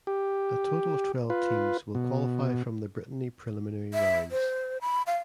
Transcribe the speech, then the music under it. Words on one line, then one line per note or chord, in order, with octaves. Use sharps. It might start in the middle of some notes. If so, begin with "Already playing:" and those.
A total of twelve teams will qualify from the Brittany preliminary rounds.
G4
F4 B4
B2
E5
C5
B5
F5